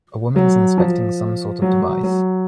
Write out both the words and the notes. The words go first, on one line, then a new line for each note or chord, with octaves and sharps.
A woman is inspecting some sort of device.
F#3
F3
F#3
F#3
F#3